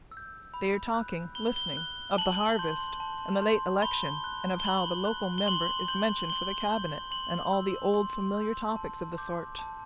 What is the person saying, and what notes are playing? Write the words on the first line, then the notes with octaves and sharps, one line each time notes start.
They are talking,--listen,--of the harvest, and the late election, and of how the local member is mentioned for the cabinet and all the old familiar topics of the sort.
E6
G6
B5
F#6
B5 G7
G7
F#6
A5 F#7
C6 G6
A5
C6 G6
B5 G7
F#6
G7
B5 F#7
F#6
G7
C6 F#7
G6 F#7
F#7
C6 G7
G6
C6 F#7
E6 G6
C6
E6 G6
A5
D6 G6
A5